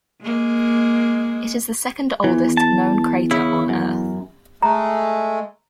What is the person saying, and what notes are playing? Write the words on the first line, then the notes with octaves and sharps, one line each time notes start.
It is the second-oldest known crater on Earth.
G#3 A#3
E2 E3
A5
C#3 E4
F#2
G#3 A3 A#5